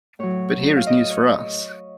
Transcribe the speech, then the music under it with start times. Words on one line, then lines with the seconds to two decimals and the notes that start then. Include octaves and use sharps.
But here is news for us.
0.19 A2 F#3 C#5
0.77 F5
0.87 D#5
1.10 C#5